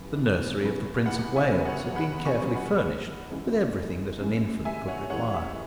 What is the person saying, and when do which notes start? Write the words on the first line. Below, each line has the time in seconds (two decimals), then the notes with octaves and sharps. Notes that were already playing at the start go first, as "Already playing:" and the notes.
The nursery of the Prince of Wales had been carefully furnished with everything that an infant could require.
Already playing: E2 C#3 F#3 B3
0.16 E2
0.61 C#3 F#3 B3
1.06 E2 F#5 B5
1.36 E5 G#5
1.51 C#3 F#3 B3
1.65 C#5 F#5
1.95 E2 F#5 B5
2.18 B5
2.25 G#5 C#6
2.41 C#3 F#3 B3
2.55 F#5 B5
2.85 G#1
3.30 F#2 E3 G#3
3.76 G#1
4.20 F#2 E3 G#3
4.65 G#1 E5 G#5
4.88 C#5 F#5
5.10 F#2 E3 G#3 C#5 F#5
5.33 E5